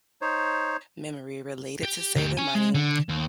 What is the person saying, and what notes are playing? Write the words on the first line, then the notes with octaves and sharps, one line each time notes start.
memory related to saving money
D#4 C5 C#5
G4
D2 G4
C#4 G#5
G#3
D3
D#2